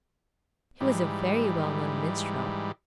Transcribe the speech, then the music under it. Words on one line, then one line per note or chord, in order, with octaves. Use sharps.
He was a very well known minstrel.
G#2 E3 G3